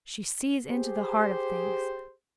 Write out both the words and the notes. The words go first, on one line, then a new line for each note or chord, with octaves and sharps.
She sees into the heart of things.
G4 G#4 C5